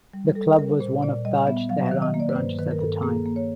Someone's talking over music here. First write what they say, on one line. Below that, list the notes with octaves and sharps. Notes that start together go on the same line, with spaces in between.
The club was one of Taj Tehran branches at the time.
G3
G3 A4
G3 A#4
A#2 C5
A#2 D5
G3 D#5
B3 E5
F#3 F5
E5
D#3
D#5
A#3
D5
B4
G2 C5
D#3 B4
A#4
G2 A4
A#3 G#4
A#3
C#5